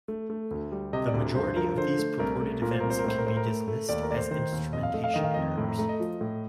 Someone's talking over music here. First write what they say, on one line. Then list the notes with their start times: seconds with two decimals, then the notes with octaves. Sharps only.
The majority of these purported events can be dismissed as instrumentation errors.
0.08 A3
0.30 A3
0.51 D2
0.72 G3
0.93 C3 D#5
1.07 D5
1.14 D2
1.35 G2 C5
1.56 F3 A#4
1.78 D3 C5
1.99 A3
2.19 C2 A#4
2.41 A3
2.62 A#2 A#4
2.71 C5
2.80 C2 A#4
2.90 C5
2.99 A#4
3.04 A2 C5
3.18 A#4
3.25 A2 C5
3.37 A#4
3.47 A3
3.68 A3
3.89 D#2 D5
4.03 A#4
4.09 A3 D5
4.16 C5
4.31 D#3 C5
4.52 D#2
4.73 F2 D#5
4.83 F5
4.93 A3 D#5
5.04 F5
5.14 D#3 D#5
5.24 F5
5.34 F2 D#5
5.58 A2
5.69 A#5
5.79 A3 A#5
5.89 D#5
6.00 F3
6.21 A2